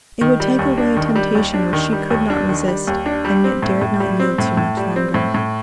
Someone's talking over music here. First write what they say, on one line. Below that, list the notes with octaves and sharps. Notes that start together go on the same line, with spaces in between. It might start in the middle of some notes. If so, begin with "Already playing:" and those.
It would take away a temptation which she could not resist, and yet dared not yield to much longer.
D#3
G3
D#2
D4
D#3
G3
D#2
D4
D#3
G3
D#2
D4
D#3
G3
D#2
D4
G3
C4
A2
A2
G3
C4
A2
A2
G3
C4
A2
A2